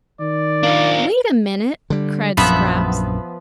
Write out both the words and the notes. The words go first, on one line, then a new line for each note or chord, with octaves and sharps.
"Wait a minute," cried Scraps.
D#3 D5
A#3 D4 F4
D3 G3
A#1 F#2 F3 B3 E5